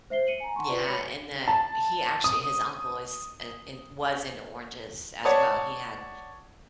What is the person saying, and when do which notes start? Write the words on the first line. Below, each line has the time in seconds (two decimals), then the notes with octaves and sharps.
Yeah, and that he actually his uncle is i in was into oranges as well. He had
0.10 C5 E5 C7 G7
0.27 C#7 D#7 F#7
0.40 G#5 A#5
0.56 F#5 A5 A#5 C6 C#6
0.69 F4 B4 D5
0.86 F#4 C#5 B5 C#7
1.48 A5
2.24 D#6
5.25 C#5 D5 F#5 A5 C#6 D#6